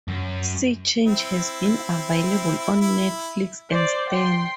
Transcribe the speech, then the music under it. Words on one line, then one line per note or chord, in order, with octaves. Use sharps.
SeaChange has been available on Netflix and Stan.
F#2
C4 E4
E4
C5 D5
G5 C6